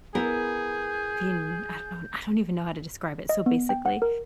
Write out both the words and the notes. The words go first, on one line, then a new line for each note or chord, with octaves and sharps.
being I don't I don't even know how to describe it. So, basically
B3 E4 G#4 A#4 G6
D#5
B3
G5
F#5
A#4